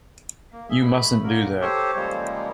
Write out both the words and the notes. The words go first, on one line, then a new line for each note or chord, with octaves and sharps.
You mustn’t do that.
A#3
G#4 E5
A3 B5
D3 A#3 A#4
G4 A4 C5 C#5
C#3 F3 G3 G#3 A#3